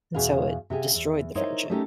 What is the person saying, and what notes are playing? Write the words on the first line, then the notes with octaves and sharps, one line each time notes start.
and so it destroyed the friendship.
E2 B2 G#4 B4 F5
C3 G4 G#4 F5
E2
D#4 E4 A#4 C5 C#5 D#5
A3 C#4 D#4 G4 A4 A#4